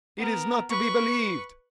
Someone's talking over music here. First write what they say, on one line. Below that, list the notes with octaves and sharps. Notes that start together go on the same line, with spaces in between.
It is not to be believed!
B3 A#4
B4 C#6